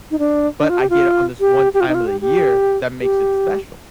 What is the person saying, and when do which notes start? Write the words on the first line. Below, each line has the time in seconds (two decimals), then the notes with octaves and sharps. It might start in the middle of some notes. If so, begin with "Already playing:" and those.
but I get it on this one time of the year, that makes it special.
0.11 D#4
0.19 D4
0.59 D4
0.70 F4
0.79 G4
0.90 F4
1.40 G4
1.74 G4
1.81 F4
1.88 D#4
1.95 F4
2.07 G4
2.21 G4
3.01 G4